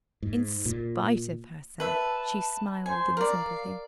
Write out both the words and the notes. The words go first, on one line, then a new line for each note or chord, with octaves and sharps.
In spite of herself, she smiled in sympathy.
G#2
A#2
B4 E5 A5
C5 G#5
A#4 D5 F5